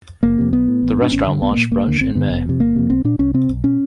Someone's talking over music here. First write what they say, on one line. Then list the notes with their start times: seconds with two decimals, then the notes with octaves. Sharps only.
The restaurant launched brunch in May.
0.23 F#1 A#3
0.38 F2 C3
0.53 B1 B3
0.68 A2
0.83 A1
0.98 G#2 D4
1.12 G#1 C#4
1.27 G2 D3
1.42 B1 B3
1.52 A#3
1.57 A#2
1.71 E1 A#3
1.87 D#2 D3
2.01 G1 C4
2.15 G2 D3 B3
2.30 F1
2.45 F2 C3
2.60 G1 A#3
2.76 F2 C3
2.90 B1 C4
3.04 A#2 D4
3.19 C2 C#4
3.34 C3 C4
3.49 B1
3.64 B2 C#4